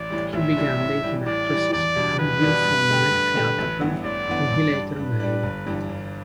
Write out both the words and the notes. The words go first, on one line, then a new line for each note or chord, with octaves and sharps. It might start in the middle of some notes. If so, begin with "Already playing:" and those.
He began dating actresses and grew fond of Effie Atherton who he later married.
Already playing: A1 D5
A2 E3 G3
A1 E5
A2 E3 G3
A2
E3 G3
A2 D5
E3 G3
E2 D5
B2 G3 D4
E2 B4
B2 G3 D4
G2
D3 A3 G4
G2
D3 A3 G4
A1
G2 E3 B3
A1 D5
G2 E3 B3
G2
G3 D4
G2 B4
G3 D4
G1
G2 E3 G3
G1